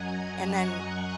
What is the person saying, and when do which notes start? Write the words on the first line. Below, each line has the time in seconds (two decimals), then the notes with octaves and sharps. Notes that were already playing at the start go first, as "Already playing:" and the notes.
and then,
Already playing: F#2 F#3 D#5 F#5 G#5 A#5 D#6 G#6
0.40 C#6 F#6